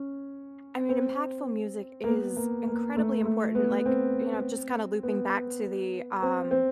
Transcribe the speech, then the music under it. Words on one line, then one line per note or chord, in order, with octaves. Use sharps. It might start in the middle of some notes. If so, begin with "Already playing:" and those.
I mean, impactful music is incredibly important, like, you know, just kinda looping back to the, um,
Already playing: C#4
C4
A#3
B3
A#3
A#3
A3
A3
B3
C4
B3
C4
C4